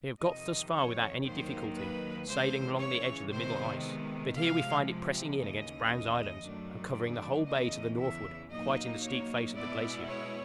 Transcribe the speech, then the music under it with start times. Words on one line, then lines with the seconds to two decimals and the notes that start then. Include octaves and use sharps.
We have got thus far without any difficulty, sailing along the edge of the middle ice; but here we find it pressing in against Browne's Islands, and covering the whole bay to the northward, quite in the steep face of the glacier.
0.21 F2 C3 D#3 D#5
0.72 C#5
1.24 D#2 D#3 F#3 A#3 C5
1.77 B4
2.29 C#3 E3 G#3 C5
2.80 C#5
3.32 C3 D#3 G#3 B3 C5
4.37 C3 F3 G#3 F5
5.40 D#2 C#3 E3 D#5
6.44 F#2 D#3 F#3 A3 D4
6.95 D5
7.47 E2 C#3 E3 D#5
8.00 E5
8.51 A#2 F#3 A#3 D#4 D#5
9.04 C#5
9.55 B2 G#3 B3 E4 D5
10.07 C#5